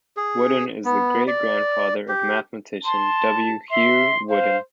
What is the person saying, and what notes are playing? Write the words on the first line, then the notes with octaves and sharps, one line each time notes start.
Woodin is the great-grandfather of mathematician W. Hugh Woodin.
G#4
B3
D5
G4
A5 C6
E5 C6
C5 F5